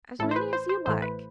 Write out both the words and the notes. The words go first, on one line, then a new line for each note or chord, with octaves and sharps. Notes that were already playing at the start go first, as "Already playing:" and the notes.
"As many as you like."
A1 A2 E3 A3 A4
C5
B4
C5
C5
A1 A2 E3 A3 C5
B4